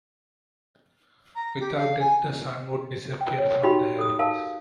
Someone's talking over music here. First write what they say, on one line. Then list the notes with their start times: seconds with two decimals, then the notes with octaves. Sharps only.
Without it, the sun would disappear from the heavens.
1.35 A#5
1.60 G4
1.75 F5
2.00 G#5
3.21 G5
3.38 C#5
3.63 D#4 F#4 G4 G5 B5
3.99 A4 D#6
4.19 D#4 A#4 F5 A5